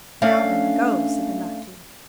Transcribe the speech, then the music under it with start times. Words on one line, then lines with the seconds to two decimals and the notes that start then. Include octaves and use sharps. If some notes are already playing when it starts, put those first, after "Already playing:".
"Now, then, go," said the marquis.
0.22 A3 C#4 D4 F5